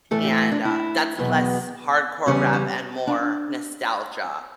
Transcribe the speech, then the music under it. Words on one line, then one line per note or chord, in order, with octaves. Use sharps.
and, uh, that's less hardcore rap and more nostalgia.
A2 E3 A3 A4
G4
D4
E4
E2 B2 F#3 B3
E2 C#3 G3 C#4
C#4
D4